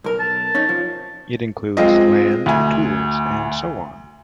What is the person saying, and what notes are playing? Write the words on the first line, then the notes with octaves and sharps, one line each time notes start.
It includes land, tools, and so on.
B1 A#4
A5
C#4 D#4
F3
G#3 C4 F4 D#5
D2 G#5